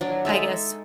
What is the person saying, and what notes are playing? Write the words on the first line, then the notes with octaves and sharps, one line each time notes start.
I guess,
F#3 D4
G#3 D#4 A4 E5